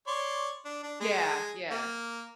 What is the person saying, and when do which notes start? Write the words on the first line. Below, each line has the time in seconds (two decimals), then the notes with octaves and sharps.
Yeah, yeah.
0.07 C#5 D5 C6
0.65 D4
0.83 D4
1.01 G#3 G#4
1.71 A#3